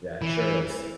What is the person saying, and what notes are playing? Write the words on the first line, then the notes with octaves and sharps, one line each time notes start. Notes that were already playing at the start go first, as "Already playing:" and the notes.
Yeah, it sure is.
E3